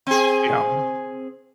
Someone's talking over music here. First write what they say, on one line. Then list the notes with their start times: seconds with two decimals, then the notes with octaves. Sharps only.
yeah, um
0.07 C4 G#4